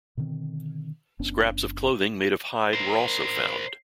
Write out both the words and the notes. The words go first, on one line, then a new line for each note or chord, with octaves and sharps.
Scraps of clothing made of hide were also found.
B2 D3 D#3 C4
F#1 B3 C#4 D4
A#4 C5